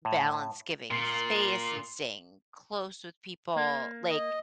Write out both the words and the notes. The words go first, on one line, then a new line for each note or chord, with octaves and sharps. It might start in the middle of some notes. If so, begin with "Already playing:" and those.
balance giving space and staying close with people? Like
A2
A#2 C6
A#3
D#5